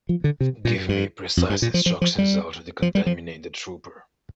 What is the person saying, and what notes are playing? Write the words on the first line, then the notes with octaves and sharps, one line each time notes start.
Give me precise instructions how to decontaminate the trooper.
F3
D3
C3
A#2
G2
F2
G2
A#2
F3
F3
F3
G3
F3
G3
F3